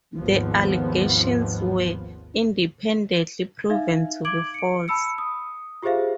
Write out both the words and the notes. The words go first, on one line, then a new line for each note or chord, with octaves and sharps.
The allegations were independently proven to be false.
G#1 D#2 F3 B3
D#4 E5 F5
D6 G#6 D7 F#7
C#7 D7
A5 B5 E6 C#7
D#6
F4 G4 G#4 C5 E5 F5